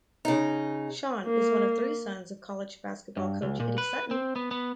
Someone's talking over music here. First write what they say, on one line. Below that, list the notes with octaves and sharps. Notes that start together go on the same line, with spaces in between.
Sean is one of three sons of college basketball coach Eddie Sutton.
C#3 D#4
A#3
G2
C#2
A#2
B4
C4
B3
B3